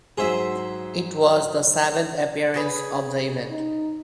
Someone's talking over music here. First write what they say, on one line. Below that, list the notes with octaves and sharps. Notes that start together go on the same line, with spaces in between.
It was the seventh appearance of the event.
G#2 F#3 G#4 C5 E5
C#3 G#4 B4
D#4